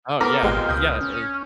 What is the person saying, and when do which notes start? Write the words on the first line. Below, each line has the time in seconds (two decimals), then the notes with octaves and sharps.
Oh, yeah, is yeah, i
0.21 B3 C4 A4 A#4 A#5 D6 F6 A#6
0.43 G#1 A#2 G#3 G4
0.69 C#2 D#6 F#6 G6
1.01 C#4